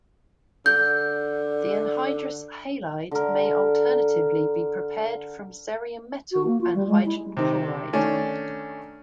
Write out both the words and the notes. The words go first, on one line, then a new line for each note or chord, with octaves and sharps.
The anhydrous halide may alternatively be prepared from cerium metal and hydrogen chloride.
D3 G6
D3 A#4
F#4
A#3
F4
G3
G#3
E4
C3 D#3
D#3 A3 C#4 D4